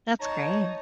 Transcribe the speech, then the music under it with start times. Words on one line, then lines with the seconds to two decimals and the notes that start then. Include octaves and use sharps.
That's great.
0.20 D#4 C#5 A5 A#5